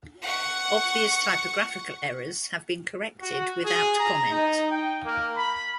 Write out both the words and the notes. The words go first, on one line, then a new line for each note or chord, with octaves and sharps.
Obvious typographical errors have been corrected without comment.
F#5 C#6
F#4
G#4
A#5
D#4
G5
A#3
B5